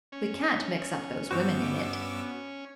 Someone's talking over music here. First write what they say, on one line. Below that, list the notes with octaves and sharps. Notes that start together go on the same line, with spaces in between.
We can't mix up those women in it.
C#4
G2 B3 F#4 C5 C#5 D6 E6